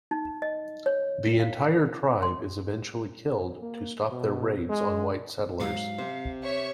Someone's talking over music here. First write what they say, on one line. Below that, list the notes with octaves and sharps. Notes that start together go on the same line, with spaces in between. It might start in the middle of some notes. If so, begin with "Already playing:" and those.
The entire tribe is eventually killed, to stop their raids on white settlers.
D#4
D#5
C#5
F5
C6
A#3
B2
G#3
G#2 F#3 F5
C3 C4 C5
C#5 E5 C#6